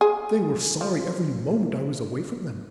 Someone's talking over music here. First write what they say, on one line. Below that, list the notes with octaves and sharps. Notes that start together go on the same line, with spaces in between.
They were sorry every moment I was away from them.
G#4
F3